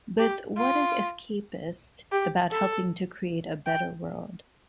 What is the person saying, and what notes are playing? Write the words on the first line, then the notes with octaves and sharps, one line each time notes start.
But what is 'escapist' about helping to create a better world?
G4
F4
G4
A4
G5